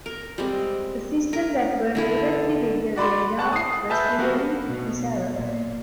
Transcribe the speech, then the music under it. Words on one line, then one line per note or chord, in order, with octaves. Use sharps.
A system that worked directly with the radar was clearly desirable.
A#4
G3 G#3 C4
A#4
D3 E4 G#4
F#4 D5 B5 C6
F#5 A5 C#6 F#6
D#6 C7
B4 E5 G#5 A5 E6 G6
G3 A#3 F#4
B2
A#2